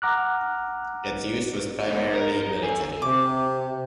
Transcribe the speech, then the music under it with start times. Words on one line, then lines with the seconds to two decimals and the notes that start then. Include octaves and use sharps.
Its use was primarily military.
0.02 F#5 A#5 D6 F6 F#6
1.88 B3 D#4
2.13 A#4
2.42 D#4
2.62 A4 G#5
3.02 C3 D6